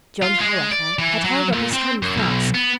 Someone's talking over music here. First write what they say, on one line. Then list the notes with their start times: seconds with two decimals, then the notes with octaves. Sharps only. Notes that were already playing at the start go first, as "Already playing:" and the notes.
John, however, had held up his hand first.
0.22 F4
0.40 G#3
0.71 D5
0.99 E3
1.24 F#3
1.53 A#2
1.73 C4
2.03 F#2
2.17 B1
2.54 B3